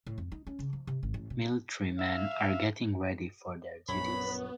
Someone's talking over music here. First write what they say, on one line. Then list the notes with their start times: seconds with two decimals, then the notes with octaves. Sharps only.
Military men are getting ready for their duties.
0.06 A2
0.18 F2
0.32 D#4
0.47 C#4
0.59 C#3
0.73 F3
0.87 C3
1.03 G#1
1.14 A1
1.30 B2
1.99 E5 F5
3.89 A#1 F#2 B3 C#5 B5